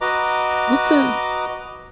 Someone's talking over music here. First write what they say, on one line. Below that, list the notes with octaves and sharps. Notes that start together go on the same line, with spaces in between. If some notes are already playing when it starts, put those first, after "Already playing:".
what's a
F#4 B4 D#5 A#5 D6